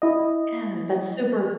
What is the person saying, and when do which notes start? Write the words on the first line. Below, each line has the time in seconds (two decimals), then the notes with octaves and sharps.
Yeah, that's super
0.02 E4 D#5